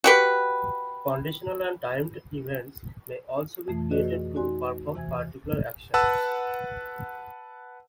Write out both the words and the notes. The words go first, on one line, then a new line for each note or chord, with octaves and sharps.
Conditional and timed events may also be created to perform particular actions.
F#4 G4 B4
F2 B2 E3 A3
F#4 G#4 B4 D5 D#5
D#4 F#4 D5 G#5 C6
D#2 C3 E3 G#5 G#6
B4 F#5 A5 E6